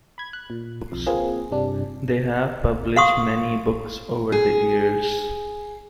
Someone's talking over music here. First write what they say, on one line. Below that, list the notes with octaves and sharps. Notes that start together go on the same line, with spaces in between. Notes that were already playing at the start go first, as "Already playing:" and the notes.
They have published many books over the years.
B5 G#6
F#6
A#2
B1 F2
A#3 C4 F4 G#4 B4
G2 C3 G3 D4
F5 F#5 C6 C#6 D#6
G#4